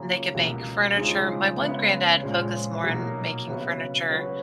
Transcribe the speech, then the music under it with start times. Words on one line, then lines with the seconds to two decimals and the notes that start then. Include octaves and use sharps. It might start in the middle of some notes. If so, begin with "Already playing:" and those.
They could make furniture, my one granddad focused more on m making furniture,
Already playing: C#3 F#3 A#3 F4 G#4
0.32 C#2 B2 A#3
0.96 C#3 F3 G#3 D#4 G#4
1.58 C#3 G#3 B3
2.21 A#2 F3 G#3 C#4
2.84 B2 F#3 A#3 D#4 A#4
3.47 C#3 F#3 B3
4.09 F#3 C#4 F#4 B4